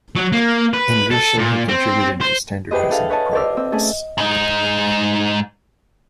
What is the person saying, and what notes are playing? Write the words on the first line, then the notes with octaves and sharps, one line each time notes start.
In addition, he contributed to standardizing the prose.
F#3
A#3
B4
A4
A#2
C4
C5
E4 G4 G#4 B4 C5 D#5
D4 G#4 A4 F5
B4 C#5 D#5 A5
C5 D5 C6 E6 F6
C4 E6
A3 C#4 G#4 A4
G#2 D#4